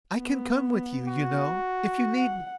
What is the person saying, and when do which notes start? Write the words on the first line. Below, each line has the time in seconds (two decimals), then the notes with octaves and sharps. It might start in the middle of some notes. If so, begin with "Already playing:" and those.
I can come with you, you know, if you need me.
0.16 B3
1.08 F#4
2.14 F#5